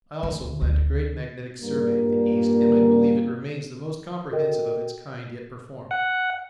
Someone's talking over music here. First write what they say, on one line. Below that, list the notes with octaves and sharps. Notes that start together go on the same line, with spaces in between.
I also planned a great magnetic survey of the East, and I believe it remains the most comprehensive of its kind yet performed.
D2
D2
G2 A#2 G3 A#3
F#4 A4 A#4 D#5 G5
F#5